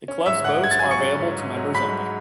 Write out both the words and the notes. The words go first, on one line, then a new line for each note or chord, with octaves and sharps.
The club's boats are available to members only.
C#4
G#2 E5 E6
G#2 F#5 F#6
G#2 G#6
A6
F#3 G#5 G#6
C#6 C#7
C#4
G#2
G#2
F#3
G#2 B5 B6
F#3